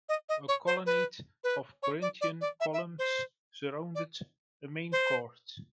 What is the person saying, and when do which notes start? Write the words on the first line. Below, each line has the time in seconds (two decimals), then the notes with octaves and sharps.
A colonnade of Corinthian columns surrounded a main court.
0.09 D#5
0.29 D#5
0.48 C#5
0.67 C5
0.86 B4
1.44 B4
1.83 C#5
2.02 D5
2.21 D5
2.41 D5
2.60 E5
2.73 E5
2.99 C5
3.95 D5
4.92 C5